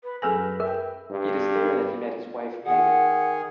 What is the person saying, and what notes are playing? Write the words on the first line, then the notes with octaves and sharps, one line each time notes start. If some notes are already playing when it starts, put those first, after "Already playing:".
It is there that he met his wife Megan.
B4
F#2 G#4 A4 B4 G#5 E6 A#6
A#4 E5 G5
G2
D#3 G#4 F#5